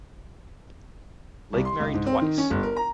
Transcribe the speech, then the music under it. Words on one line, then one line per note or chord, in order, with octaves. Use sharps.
Lake married twice.
C2
C6
C#2
G#2
C4
D#3
C#4
G1
A#4
A#5